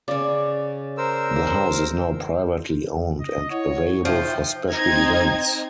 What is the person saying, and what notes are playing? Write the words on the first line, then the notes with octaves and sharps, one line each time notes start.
The house is now privately owned and available for special events.
C#3 C#4 D5
A#4 C5 E6
D#5
E4 C#5 F#5
F3 D#4 E5 G5 G6
C4 D#4 D#5 G#6